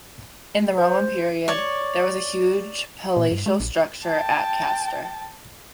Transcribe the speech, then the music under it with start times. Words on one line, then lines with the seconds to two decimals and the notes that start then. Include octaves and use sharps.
In the Roman period, there was a huge palatial structure at Castor.
0.78 C5
1.48 C#5 D5
3.17 A#2
3.32 G2
3.46 G#3
3.60 A#1
4.05 G5 A5